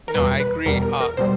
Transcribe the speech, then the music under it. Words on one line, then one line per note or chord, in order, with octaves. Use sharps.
No, I agree, uh,
A#4
E2 B2 G3 B4
B4
E2 B2 G3 A#4
A#4
A#4
B2 G3 C5